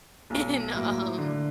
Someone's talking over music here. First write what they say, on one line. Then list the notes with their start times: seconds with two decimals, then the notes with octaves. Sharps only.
And, um
0.30 B1
0.74 A2 F#3 A#3
1.18 D3